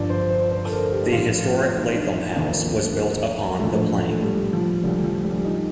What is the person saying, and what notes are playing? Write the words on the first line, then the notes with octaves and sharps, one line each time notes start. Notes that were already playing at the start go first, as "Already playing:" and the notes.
The historic Lathom House was built upon the plain.
Already playing: G1 G2 F3 D5
C5
C5
C5
A4
A#4
G4
D#4
A1 A2 F3 F4
D#4
D4
D#2 D3 F3
A#1 A2 F3 A3
A3
A3
G3
F3
D2 D3 F3 G3
F3
G3
D#4